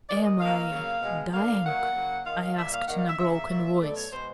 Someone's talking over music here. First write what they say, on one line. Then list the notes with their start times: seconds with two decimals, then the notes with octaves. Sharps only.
"Am I dying?" I asked in a broken voice.
0.09 D#3 G#3 D5
0.24 D#5
0.40 D#3 F#3 A#3 F5
0.55 F5
0.71 C#3 F#3 A#3
1.01 B2 G#3
1.32 D3 F3 A#3 F5
1.64 D#3 F#3 A#3 F#5
1.94 C#3 F#3 A#3
2.26 D#3 G#3 F5
2.42 F5
2.56 A#2 G3 A#3 E5
2.73 F5
2.87 D#3 G3 A#3 F#5
2.98 F5
3.08 E5
3.18 C#3 F3 A#3 E5
3.49 A#2 F#3 A#3
3.80 B2 F#3 A3 D5
3.96 C#5
4.11 B2 G#3 C5